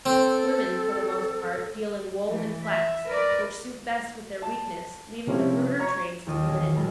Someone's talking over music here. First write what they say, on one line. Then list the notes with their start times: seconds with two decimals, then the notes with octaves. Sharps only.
Women, for the most part, deal in wool and flax, which suit best with their weakness, leaving the ruder trades to the men.
0.06 C4 A4
2.26 E3 A3
2.64 E5
3.06 A#4 B4 D5
4.42 A5
5.27 C3 F3 C#4 E4
5.80 C#5 A#5 C#6
6.27 D#2 D#3 D#4 F4 D#6 F6
6.46 E1 B1 A#4 C#5 G#5 C#6
6.75 D#1 F#3 G#3 A#4 B4 A5